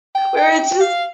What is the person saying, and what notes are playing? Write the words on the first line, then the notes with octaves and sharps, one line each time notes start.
we were just
G5
G5
G5
F5